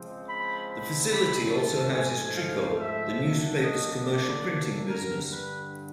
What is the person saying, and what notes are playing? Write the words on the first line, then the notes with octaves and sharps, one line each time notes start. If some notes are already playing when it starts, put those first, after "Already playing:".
The facility also houses Trico, the newspaper's commercial printing business.
Already playing: C#3 F3 G#3 C4
B5
B5
B5
G#2 F3 A3 A5
G#5
F5
E5
A#2 F#3 A3 D4
D#5
D5
G2 D3 G3 A#4
B4